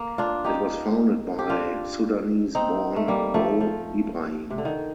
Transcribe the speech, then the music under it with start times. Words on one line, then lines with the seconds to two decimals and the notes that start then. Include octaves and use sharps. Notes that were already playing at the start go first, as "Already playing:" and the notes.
It was founded by Sudanese-born Mo Ibrahim.
Already playing: A#3
0.18 D4 F4
0.44 D#4 G4
1.39 G4
1.50 D4 F4
2.55 C4 D#4
2.96 A3
3.08 G3 A#3
3.34 F3 A3
3.61 F3
4.50 C3
4.58 D3
4.65 D#3